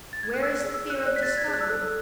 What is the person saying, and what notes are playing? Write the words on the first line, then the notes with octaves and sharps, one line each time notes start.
Where is the fear of discovery?
A6
G#6
F#6
D5 E6
G#4
E6
G#4 F#6
D5 F#6
B6
A6
D5
G#6
G#4
F#6
E6
A4 F#6